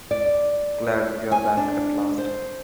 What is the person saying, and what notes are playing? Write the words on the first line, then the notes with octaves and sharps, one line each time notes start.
Glad you're back at last.
D5
G#5
D4
C5